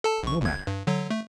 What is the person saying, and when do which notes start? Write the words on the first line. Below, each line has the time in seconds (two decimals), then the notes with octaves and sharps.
No matter!
0.04 A4 A5
0.23 A#1 C#6
0.41 G1 G#6
0.67 G2
0.87 D3 F#3
1.10 A3